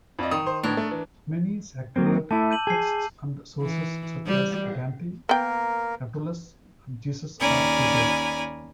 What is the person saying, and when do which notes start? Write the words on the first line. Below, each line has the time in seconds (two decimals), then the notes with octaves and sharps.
Many sacred texts and sources such as Dante, Catullus, and Jesus are quoted.
0.19 F2 D5 D#5
0.31 D#3 D#6
0.46 C5
0.64 A2 D3 B3 D4 A#4
0.77 A3
0.91 E3
1.96 F#3 A#3 C4
2.31 A3 E4 A5 D6 E6
2.51 G6 D#7 F#7
2.67 G#4 A5 C7
3.62 E3
4.27 G3
5.29 A#3 B3 A#4 G5
7.40 D#2 C#4 D5 G#5 A#5 B5